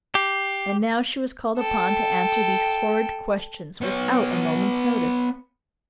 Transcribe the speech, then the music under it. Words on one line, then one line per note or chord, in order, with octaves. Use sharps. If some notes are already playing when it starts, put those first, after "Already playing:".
And now she was called upon to answer these horrid questions without a moment's notice!
G4 C7
A4 G5
B3 C#5